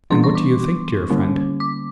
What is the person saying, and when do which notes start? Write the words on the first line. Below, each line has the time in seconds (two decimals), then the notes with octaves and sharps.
And what do you think, dear friend?
0.10 E3 G3 B3 D4 C6
0.24 C#6
0.35 D6
1.10 D3 G3 A#3 C#4
1.60 D6